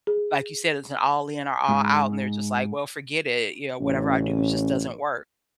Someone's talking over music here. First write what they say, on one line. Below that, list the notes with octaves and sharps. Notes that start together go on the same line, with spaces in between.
Like you said, it's an all-in or all-out, and they're just like, "Well, forget it," you know, "whatever I do just doesn't work."
G#4
G#2
A1 C#4